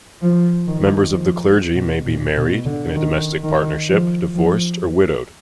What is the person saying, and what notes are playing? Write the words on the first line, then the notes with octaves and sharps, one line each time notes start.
Members of the clergy may be married, in a domestic partnership, divorced, or widowed.
F3
D#3
F3
B2
A#2
B2
D3
D#3
D#3
F3
F3